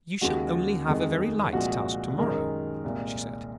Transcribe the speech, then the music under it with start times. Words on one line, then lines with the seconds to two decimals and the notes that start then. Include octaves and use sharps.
'You shall only have a very light task to-morrow,' she said.
0.21 D#2 C#3 G#3 F#4
0.87 F2 D#3 G#3
1.53 C2 A#2 F3 G#3 F#4
2.18 F#2 D#3 G#3 A#4
2.84 C2 A#2 G#3